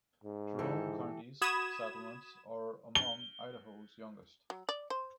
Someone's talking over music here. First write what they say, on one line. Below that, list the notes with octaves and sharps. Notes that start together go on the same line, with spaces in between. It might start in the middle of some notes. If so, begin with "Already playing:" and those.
Jerome county's settlements are among Idaho's youngest.
G#2
E3 G4 A4
F#4 B5 D#6 G#6 E7
G7
F#3
D5
C5